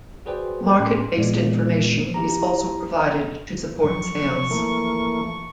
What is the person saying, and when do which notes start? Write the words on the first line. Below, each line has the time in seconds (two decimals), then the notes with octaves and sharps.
Market based information is also provided to support sales.
0.26 F#4 G#4 B4 C5 D5 G5
0.79 A2 C#4 C6
1.18 A#2 G#3 B3 F4 D5
2.14 E4 G4 A#5
3.84 F3 F#3 C#6
4.51 E3 A3 A#3